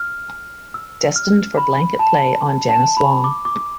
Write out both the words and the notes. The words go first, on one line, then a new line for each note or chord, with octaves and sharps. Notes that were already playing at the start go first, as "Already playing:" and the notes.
Destined for blanket play on Janice Long.
Already playing: F6
E6
F6
B5
A5
A5
B5
D6
D6